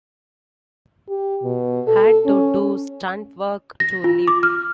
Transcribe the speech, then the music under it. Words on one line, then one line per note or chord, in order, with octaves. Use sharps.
Had to do stuntwork to live.
G4
B2
A4
C#4
A#6
F4
D6
F6